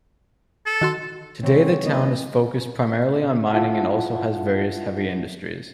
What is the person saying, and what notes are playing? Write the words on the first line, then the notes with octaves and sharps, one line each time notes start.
Today the town is focused primarily on mining and also has various heavy industries.
A4
D#3 F#4 C6
C3 D#3 F#3 G#3 C4 C#5
A#3 C#4 B4 D#5
E4 F4 E5 F#5 A5